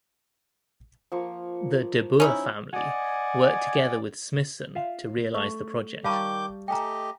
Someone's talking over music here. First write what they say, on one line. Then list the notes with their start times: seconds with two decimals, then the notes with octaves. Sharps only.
The De Boer family worked together with Smithson to realise the project.
1.12 F3 A#3 C#6
2.20 C#4 D#4 E4
2.74 D5 D#5 F#5 G#5
4.75 F4 E5 F5
5.35 A3 C#6
6.05 D#3 G3 F5 A5 C#6 D6 G6
6.68 A3 G4 D#5 G5 G#5 A#5